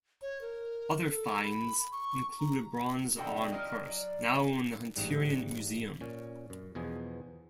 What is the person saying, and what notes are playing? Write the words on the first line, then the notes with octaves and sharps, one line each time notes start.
Other finds include a bronze arm purse, now in the Hunterian Museum.
C#5
A#4
A4
B5
C#6
A#5
B2 F3 D4 F#4 A4 G5
F3 A3 D#4 F4 D5 D#5
F#3 D5
A1 G#2 G3
A#2 C#4
F#2
E2 B2 F3 G#4